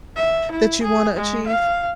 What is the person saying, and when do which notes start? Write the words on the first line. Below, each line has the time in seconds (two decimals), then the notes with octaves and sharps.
that you wanna achieve?
0.16 E5
0.51 E4
0.83 G#4
1.17 G#3
1.46 F5